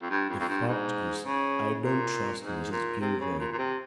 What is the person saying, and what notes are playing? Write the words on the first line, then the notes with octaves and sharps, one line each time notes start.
The fact is, I don't trust Mrs. Gilroy.
F2
G2
F2
F2
G2
G#2
C#3
A#2
G#2
A#2
C3
C#3
A#2
A#2
C3